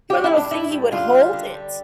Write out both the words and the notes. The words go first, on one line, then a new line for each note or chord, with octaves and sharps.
Poor little thing, he would hold it.
G3 G4
E4
A2
D4
A2 E4
G3
D3 F4
G3
D3
G3